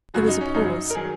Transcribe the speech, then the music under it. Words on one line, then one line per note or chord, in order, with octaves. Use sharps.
There was a pause.
F#2 C#3 F#3 F#4
D#4
C#4
F#2 C#3 F#3 D#4
A#4
D#3 F#3 G#4